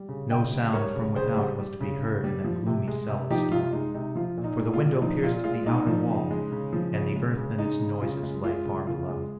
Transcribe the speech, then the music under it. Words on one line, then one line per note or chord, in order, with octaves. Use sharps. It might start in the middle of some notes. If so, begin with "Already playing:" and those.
No sound from without was to be heard in that gloomy cell of stone, for the window pierced the outer wall, and the earth and its noises lay far below.
Already playing: G3
C#3
C#3 D#5 G5
G3
G3 A#4 C#5
C#3
C#3 G#4 C5
G3
G3
C#3
C#3
G3
F3
C3
G#3
C3
F3 D#4 G4
C3 F4
G#3 D#4
C3 D#4
F3 F4
A#2
D#4
G#3
F4
A#2
F3 D#4
A#2 F4
G#3 F4
A#2 D#4
F3
C#3
G#3
C#3
F3
C#3
G#3
C#3
G#3 D#4
C#3
C#3 F4
G#3
G#3 F4
C#3
C#3 F4
G#3